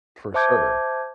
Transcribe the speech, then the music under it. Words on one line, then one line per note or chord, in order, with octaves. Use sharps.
For sure.
C5 E5 A5 D6 G6 G#6